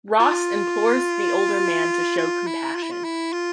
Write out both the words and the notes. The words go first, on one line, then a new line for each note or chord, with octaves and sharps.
Ross implores the older man to show compassion.
F4
F4
E4
F4
E4
F4
E4
F4